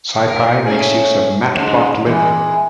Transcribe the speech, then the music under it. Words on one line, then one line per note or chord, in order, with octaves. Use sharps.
SciPy makes use of matplotlib.
A#4
A3 C#4 G#4
G#2 C#3
C3 E3 G#3